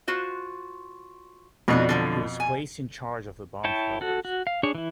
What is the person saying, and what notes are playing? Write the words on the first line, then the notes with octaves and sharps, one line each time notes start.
He was placed in charge of the bombthrowers.
F4 F#4 C5
F2 B2 D4 D#4 F#4
D3 F3 F#3
G#5
E4 C#5 G5 A5
F#4 A4
F#4
F5
D4 G#4 C#5
E3 E4